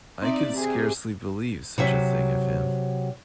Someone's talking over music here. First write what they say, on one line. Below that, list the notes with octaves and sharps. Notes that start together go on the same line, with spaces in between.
I could scarcely believe such a thing of him.
C4 D#4 D5 E5
C3 G#4
C3 F#3 E5